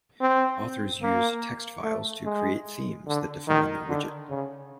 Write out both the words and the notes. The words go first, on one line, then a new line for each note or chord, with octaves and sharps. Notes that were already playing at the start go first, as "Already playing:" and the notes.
Authors use text files to create themes that define their widget.
C4
A#3
A3
G#3
D3
D#3
D3
C#3